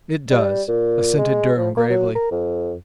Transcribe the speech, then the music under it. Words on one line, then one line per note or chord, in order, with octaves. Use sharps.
"It does," assented Durham gravely.
G3
A#2
G#3
F3
A#3
F#3
A#4
F2